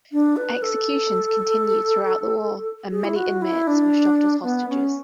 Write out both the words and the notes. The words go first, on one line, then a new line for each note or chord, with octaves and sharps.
Executions continued throughout the war, and many inmates were shot as hostages.
D4
B4
A4
G#4
E4
F#4
E4
D4
B3
C#4